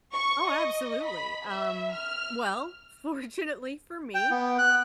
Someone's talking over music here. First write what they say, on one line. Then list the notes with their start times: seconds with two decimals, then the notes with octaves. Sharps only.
Oh, absolutely, um, well, fortunately for me,
0.12 C#6
0.48 D#5
1.06 B5
1.46 E5
1.93 F6
4.15 G5
4.30 B3
4.59 F#6